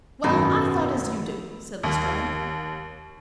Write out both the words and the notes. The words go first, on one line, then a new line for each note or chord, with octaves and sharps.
"Well, I thought as you do," said Lestrade.
G#1 F#2 B2
D#2